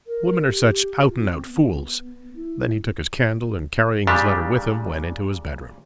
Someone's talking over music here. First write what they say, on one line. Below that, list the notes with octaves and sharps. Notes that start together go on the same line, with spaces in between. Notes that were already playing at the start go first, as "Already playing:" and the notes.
"Women are such out-and-out fools." Then he took his candle, and carrying his letter with him, went into his bedroom.
A#4
G4
F4
C4
B3
E4
A#2 C#3 G3 D4 G4